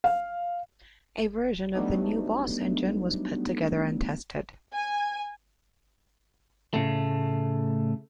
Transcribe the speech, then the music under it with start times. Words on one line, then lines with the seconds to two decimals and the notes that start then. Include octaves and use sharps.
A version of the new Boss engine was put together and tested.
0.04 F5
1.74 F#3 G3 A3 B3 D4 D#4
4.73 G#5
6.74 A2 C#3 A3